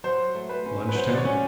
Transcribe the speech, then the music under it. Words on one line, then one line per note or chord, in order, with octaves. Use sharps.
Lunch Temp.
F#3 C5
A3
B4
C#4
B4
F#3 C5
D5
C#5
C#4